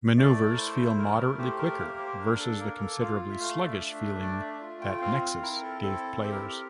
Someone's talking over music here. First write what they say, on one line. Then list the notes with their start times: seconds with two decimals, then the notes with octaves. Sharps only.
Maneuvers feel moderately quicker versus the considerably sluggish feeling that "Nexus" gave players.
0.17 A3 D5
0.52 A#4
0.57 E4 C5
0.97 A3 A#4
1.18 A#4
1.38 G4 C5
1.58 A#4
1.73 C5
1.79 A#3 A#4
1.99 C5
2.19 D4 A#4
2.39 A4
2.59 A#3 A#4
2.80 A4
3.00 F4 F5
3.31 E5
3.40 A3 F5
3.62 D5
3.67 E5
3.80 D4
3.94 E5
4.21 A3 D5
4.41 E5
4.61 F4
4.81 G5
4.95 G5
5.02 C4 F5
5.22 F5
5.42 E4 A#4
5.53 A#4
5.62 A4
5.82 C4 A4
6.23 G4 C5
6.32 A#4
6.40 A4
6.49 A#4